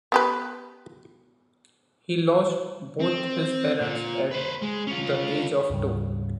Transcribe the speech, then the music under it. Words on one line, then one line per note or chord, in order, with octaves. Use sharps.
He lost both his parents at the age of two.
B3 G4 B4
C4
A#2
B4 C5
G#3
C#4 F4
D2 G#2 C#3 G3